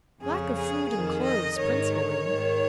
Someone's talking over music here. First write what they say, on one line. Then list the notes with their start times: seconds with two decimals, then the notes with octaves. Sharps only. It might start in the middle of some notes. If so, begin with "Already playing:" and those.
"Lack of food and clothes principally."
0.20 F2 C#3 G#4
0.55 G#4
0.89 F2 D#3 G#4
1.24 D#5
1.58 G#2 D#3 C#5
2.27 G#2 D#3